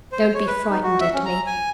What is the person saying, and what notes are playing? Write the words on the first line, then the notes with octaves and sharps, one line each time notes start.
Don't be frightened at me.
C5
C#5
B4
D#4
F#4
E5
C#4
A#5
G#5